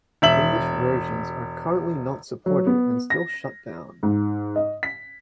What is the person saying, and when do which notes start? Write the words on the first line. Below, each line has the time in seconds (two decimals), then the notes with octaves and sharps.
English versions are currently not supported and still shut down.
0.22 E1 E5 F#7
2.46 F#3
2.67 B3
3.10 A#6
4.03 G#2
4.56 D#5
4.83 B6